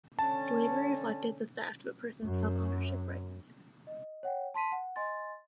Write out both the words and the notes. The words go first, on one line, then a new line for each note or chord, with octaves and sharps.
Slavery reflected the theft of a person's self-ownership rights.
D3 C#4 A5
F#2
D#5
C#5 F#5 G5
A5 C6 B6 D#7
F#5
D#5 G#5 C6 A6